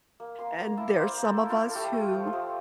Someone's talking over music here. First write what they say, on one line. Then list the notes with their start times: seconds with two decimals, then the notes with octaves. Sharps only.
and there are some of us who
0.20 A#3
0.39 A#3 C6
0.58 A#3 A#5
0.77 E4 A5
0.89 D5
0.97 A#3 C5
1.17 A#3
1.23 A4
1.37 E4
1.50 F4
1.56 E4
1.69 A4
1.75 A3 G4
1.94 A3
2.01 F4
2.14 F3
2.27 G4
2.33 F3